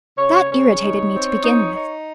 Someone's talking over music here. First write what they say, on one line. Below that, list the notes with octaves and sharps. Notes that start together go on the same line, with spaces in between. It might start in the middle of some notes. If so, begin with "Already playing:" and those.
That irritated me, to begin with.
C#3 C#5
C#3 C#5
D#4
C4
D#4
D#4